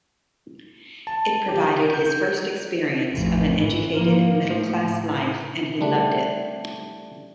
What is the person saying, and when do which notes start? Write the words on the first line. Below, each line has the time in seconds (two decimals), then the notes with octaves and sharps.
It provided his first experience of an educated, middle-class life, and he loved it.
1.07 A5
1.48 G4
1.94 G6
3.13 A1 F2
3.55 G#2 E3
3.94 F3 A#3
4.38 A2
5.81 G3 A3 D4